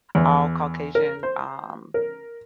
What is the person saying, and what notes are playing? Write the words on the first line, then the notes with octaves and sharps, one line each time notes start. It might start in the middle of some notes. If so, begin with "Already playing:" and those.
all Caucasian, um,
E2
A#4
C5
A#4